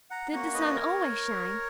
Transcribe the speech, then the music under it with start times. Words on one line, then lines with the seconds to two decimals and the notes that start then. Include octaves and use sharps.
Did the sun always shine?
0.10 F#5 A#5
0.32 A#3 C#4 F#4 F#5 A#5
0.54 B4 D#5
0.75 A#4 C#5